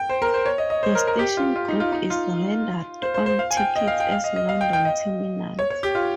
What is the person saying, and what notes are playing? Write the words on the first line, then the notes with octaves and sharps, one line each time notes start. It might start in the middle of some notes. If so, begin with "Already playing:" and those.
The station group is rendered on tickets as "London Terminals".
Already playing: G5
C5
A#4
C5
C#5
D#5
D#5
C5
A#4
A#4
G4
F4
F4
D#4
F4
D#4
F4
C5
C5
C5
F5
G#5
G5
D#5
F5
G5
F5
D#5
D#5
F5
G5
G5
D#5
C#5
C#5
G4
F4